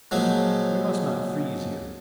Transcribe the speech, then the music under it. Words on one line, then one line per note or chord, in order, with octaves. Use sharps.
"We must not freeze here."
A#2 F3 F#3 G#3